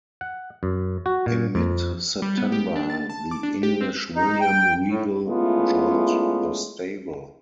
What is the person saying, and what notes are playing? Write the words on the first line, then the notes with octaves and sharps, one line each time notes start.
In mid September, the English William Regal joined the stable.
F#5
F#2
F#4
A#2
F2
G3
B3
G4
D4
A6
A5
D6
D4
G4
C4
D#4
G5
A2
G#3 A3 B3 C#4 E4 F4